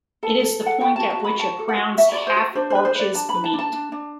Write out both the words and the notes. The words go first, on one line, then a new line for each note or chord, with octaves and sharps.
It is the point at which a crown's half arches meet.
A4 A5
A4
A4 F#5
F#4 G5
F#4 A5
A5
F#4 B5
F#4 A5
A4
F#5
F#4
F#4 E5
F#4 D5
C5
F#4
D4 C5
C5
B4
C5
B4 D5
D4 A5
B5
B4
A5
D4
A5
D4
D4